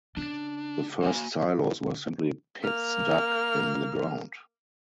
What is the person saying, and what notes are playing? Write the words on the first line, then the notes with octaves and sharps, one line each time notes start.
The first silos were simply pits dug in the ground.
C#3 D4
A#3 F#4 G#5
A#3 F6